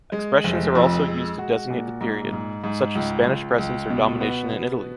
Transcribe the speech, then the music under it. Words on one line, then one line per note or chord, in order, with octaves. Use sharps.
Expressions are also used to designate the period, such as Spanish presence or domination in Italy.
G#3
F1
F2
G#3
F#4
A#2
G#2
G#2
G#2
C#2
C#2
C#2
B2
B3
B2